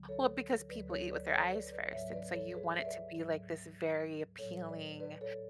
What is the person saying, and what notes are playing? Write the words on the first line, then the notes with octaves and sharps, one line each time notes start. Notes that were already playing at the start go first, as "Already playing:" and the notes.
Well, because people eat with their eyes first, and so you want it to be, like, this very appealing
Already playing: D2 D3 F#3
A4 C#5
D2 D3 F#3 B4 D5
A4 C#5
C#5
B4 D5
A4 C#5
B4 D5
B4 D5
G#2 F#3 C#5 E5
B4 D5
A4 C#5
G#4 B4
E5
B4 D5
G#2 F#3
A2 F#3 A4 C#5
B4 D5
B4 D5
A4 C#5